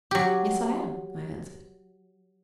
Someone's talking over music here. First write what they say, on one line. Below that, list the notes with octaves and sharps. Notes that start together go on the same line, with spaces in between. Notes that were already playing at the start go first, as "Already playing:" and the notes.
"Yes; I am," I answered.
F#3 G4